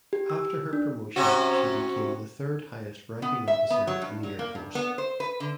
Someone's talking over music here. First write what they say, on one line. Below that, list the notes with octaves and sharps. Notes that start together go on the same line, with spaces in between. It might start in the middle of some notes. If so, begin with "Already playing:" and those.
After her promotion she became the third highest ranking officer in the air force.
G4
E6
D4
C3 C#4 F#4
B3
E5
B3
F#3
G2
F#3
A#3
G2
B3
C5
B4
D3